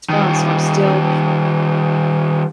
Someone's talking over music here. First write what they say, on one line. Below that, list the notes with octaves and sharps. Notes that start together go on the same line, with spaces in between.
respond, so I'm still,
D#3 G3